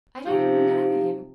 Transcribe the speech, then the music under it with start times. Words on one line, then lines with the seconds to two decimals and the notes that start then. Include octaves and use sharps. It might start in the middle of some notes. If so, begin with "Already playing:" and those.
I didn't know him!
0.25 C3 F3 D#4 G4 F5